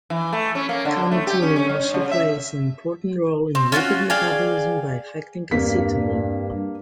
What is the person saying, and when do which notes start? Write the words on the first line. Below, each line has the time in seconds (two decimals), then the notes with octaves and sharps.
Calmodulin also plays an important role in lipid metabolism by affecting Calcitonin.
0.10 E3
0.33 A3
0.55 C#4
0.69 A#3
0.85 D3
1.11 A3
1.27 G4
1.42 C#4
1.56 C#4
1.69 G2
1.94 C#3
2.11 E5
3.55 C4
3.72 C#4 F4 F#4 F#5
4.10 G#4 D5 F5 G5
5.51 E2 G2 A#3 C4 B6